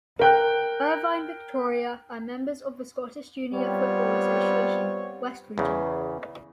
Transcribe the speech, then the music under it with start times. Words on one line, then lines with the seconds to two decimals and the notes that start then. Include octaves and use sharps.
Irvine Victoria are members of the Scottish Junior Football Association, West Region.
0.19 A#4 G5 F#6
3.54 G3 B3 C4 F4 C#5
5.58 E2 C#3